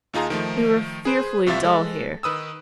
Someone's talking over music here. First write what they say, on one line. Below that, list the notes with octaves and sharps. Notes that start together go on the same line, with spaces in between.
We were fearfully dull here....
D#2 D#4 F4 G#4 A#5
D#3 F3 A3
G#4 B4 C5
C2 C3 F4 F#4 E5 A6
G#3 A4
D#3 B4 D#6 E6